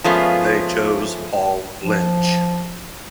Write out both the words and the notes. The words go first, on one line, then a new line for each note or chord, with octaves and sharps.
They chose Paul Lynch.
F3 G#3 A3 B3 C#4 F4
F3